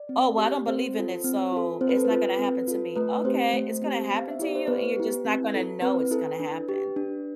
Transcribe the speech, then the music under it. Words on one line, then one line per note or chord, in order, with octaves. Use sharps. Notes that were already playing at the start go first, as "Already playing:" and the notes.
"Oh, well, I don't believe in it, so, it's not gonna happen to me." "Okay. It's gonna happen to you, and you're just not gonna know it's gonna happen."
Already playing: D5
C4
G4
C4 C5
F4 A4
C4
F4 A4
C4 C5
B4
A4
B4
F4 A4
C4
F4 A4
A3 B4
C4 G4 C5
A3 C5
C4 G4
B3
F5
E5
E4 G4 D5
C5
B3 B4
E4 G4
C4
E4 A4
C4 B4
E4 A4
D4
G4
D4